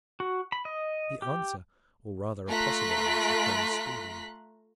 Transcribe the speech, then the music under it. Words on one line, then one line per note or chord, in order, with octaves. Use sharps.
The answer, or rather a possible answer, came speedily.
F#4
B5
D#5
G4
A3 F4 A#5 C6 F#6 B6